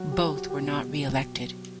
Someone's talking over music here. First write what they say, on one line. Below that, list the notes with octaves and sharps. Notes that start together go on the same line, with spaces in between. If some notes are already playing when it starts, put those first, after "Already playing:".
Both were not re-elected.
Already playing: F#3 F#4
G4
F#3 G4
F#4
G4
B2 F#4
B2
F#3